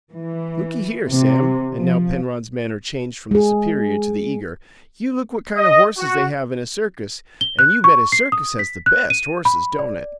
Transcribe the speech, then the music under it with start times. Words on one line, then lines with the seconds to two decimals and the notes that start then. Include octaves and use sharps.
Looky here, Sam"--and now Penrod's manner changed from the superior to the eager--"you look what kind of horses they have in a circus, and you bet a circus has the BEST horses, don't it?
0.10 E3
1.08 C3
1.78 F3
3.31 G#3 G#4
5.57 D#5
5.98 F#4
7.41 G7
7.59 F#6
7.84 C#6
8.12 C7
8.32 D#6
8.59 B6
8.86 F#6
9.10 D#7
9.45 B5
9.79 D5